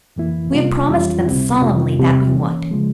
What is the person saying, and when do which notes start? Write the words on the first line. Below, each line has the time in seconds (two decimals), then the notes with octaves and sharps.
We have promised them solemnly that we would.
0.16 F2 E3 A#3 E4
0.52 C3 G3 A#3 F4
0.89 F2 E3 G3 C#4 F4
1.25 C#2 C3 G3 C4 E4
1.62 F2 C3 G3 C#4 F4
1.98 E2 C3 G3 C4 G4
2.35 E3 A#3 C#4
2.71 C#3 F3 G#3